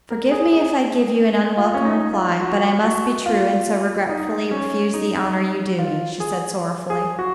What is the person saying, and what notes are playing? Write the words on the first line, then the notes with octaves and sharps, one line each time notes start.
"Forgive me if I give you an unwelcome reply, but I must be true, and so regretfully refuse the honor you do me," she said sorrowfully.
A#4
G#4
G#4
F4
C#4
D#4
F4
F#4
F#4
F4
D#4
C#4
D#4
F4
G#4
G#4
F#4